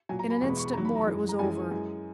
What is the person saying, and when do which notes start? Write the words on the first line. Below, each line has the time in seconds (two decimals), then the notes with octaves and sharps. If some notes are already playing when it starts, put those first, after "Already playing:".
In an instant more it was over.
0.09 A#2 F#3 G#5
0.19 A#5
0.30 B5
0.41 E2 B2 G#3 C#6
0.49 B5
0.57 C#6
0.65 B5
0.73 E2 D#3 F#3 A#5
0.85 B5
0.95 A#5
1.07 F#2 E3 G#3
1.29 A#5
1.39 F#2 E3 G#3 G#5
1.71 F#2 E3 G#3